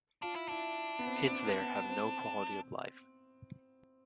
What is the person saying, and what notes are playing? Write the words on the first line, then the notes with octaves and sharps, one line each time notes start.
Kids there have no quality of life.
D4 F4
E4
D4 E4
B3
C4
C4
B3
B3
C4